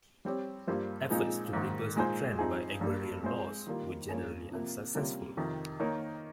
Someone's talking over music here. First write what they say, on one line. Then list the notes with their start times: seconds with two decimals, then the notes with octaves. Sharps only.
Efforts to reverse the trend by agrarian laws were generally unsuccessful.
0.25 G3 C4 G4 C#5
0.67 G2 G3 A#3 F4 C5
1.10 A#2 F3 G#3 C4 D#4
1.53 G#2 D#3 A#3
1.96 A#2 G#3 D#4 G#4 C5
2.39 G2 F3 C4 D#4 G#4
2.81 G2 G3 A#3
3.23 G#3 C4 F4 C5
3.67 D#3 G3 A#3 F4
4.09 G2 F3 A#3 C#4 G#4
4.52 C3 F3 A#3
4.95 C3 G3 A#3 C#4 F4
5.37 F2 C3 D#3
5.79 D#3 A#3 D#4 A#4 C#5